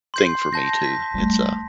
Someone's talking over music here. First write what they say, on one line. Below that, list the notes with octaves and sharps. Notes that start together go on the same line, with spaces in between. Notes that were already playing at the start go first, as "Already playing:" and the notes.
thing for me, too. It's a
C6 G6 C7
A5 G6 A#6
B6
G3 A3